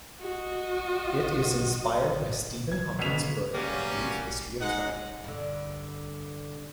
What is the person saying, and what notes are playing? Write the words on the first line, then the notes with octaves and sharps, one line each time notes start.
It is inspired by Stephen Hawking's book "A Brief History of Time".
F#4 D#5
G#6
G#1 D2 B2 B6 F7
C#3 F#3 G3 A#3 B3 C#4
G#3 D#4 F#5
G2 D3